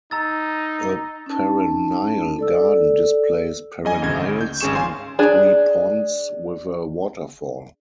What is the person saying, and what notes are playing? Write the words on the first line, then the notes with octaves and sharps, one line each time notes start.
A perennial garden displays perennials and three ponds, with a waterfall.
D#4 A#5 E6 A6
C#4 D#4 A5
A4 D5 E6
F#2 D#5 G#5
G#1 D2 C#3 D#5 G#6
G6
G#1 C#4 G#4 C#6 E7
F5 G#5 C6
D4 G#4